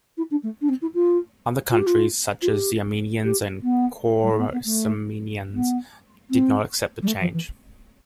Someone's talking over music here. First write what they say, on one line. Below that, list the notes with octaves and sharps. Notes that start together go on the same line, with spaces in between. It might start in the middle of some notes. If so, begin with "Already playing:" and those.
Other countries, such as the Armenians and Choresmians, did not accept the change.
E4
D4
A3
D4
C4
E4
F4
F4
G4
F4
F4
G4
G4
B3
G3
A3
B3
B3
A3
B3
C4
G3
A3
F3
E3